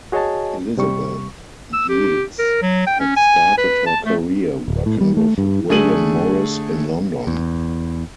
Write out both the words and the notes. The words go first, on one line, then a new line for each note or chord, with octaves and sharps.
Elizabeth Yeats had started her career working with William Morris in London.
F#4 G#4 C#5 D#5 G#5 A5
C3 G3 C#6
E6
G4
A#4
F#3
G5
C#4
G#5
B4
A5
A3
D1
A2
G3
A3
G2
D3 A3 G#4 D#7 F#7
E2